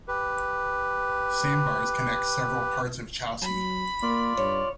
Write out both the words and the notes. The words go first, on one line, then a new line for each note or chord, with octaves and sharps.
Sandbars connect several parts of Chausey.
G4 B4
F#3 B5
A#3 F4 D5
G2 C#5